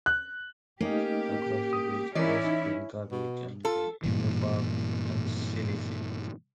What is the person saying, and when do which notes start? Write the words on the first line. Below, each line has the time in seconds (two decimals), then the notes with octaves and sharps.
Across the bridge, is Kinka Beach, and then Emu Park and Zilzie.
0.06 F#6
0.81 A3 A#3 C#4 D#4 G4 D#5
1.73 D#6
2.15 E3 C#4 E4 A#4 D5 D#5
2.45 D#4
3.12 B2
3.65 F4 A4
4.04 G2 A#2 E3